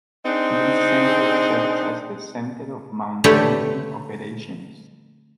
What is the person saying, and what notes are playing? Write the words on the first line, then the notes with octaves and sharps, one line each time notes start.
This center serves as the center of mountaineering operations.
C4 D4 D#4 G#4
D3 A3 G4 B4 C#5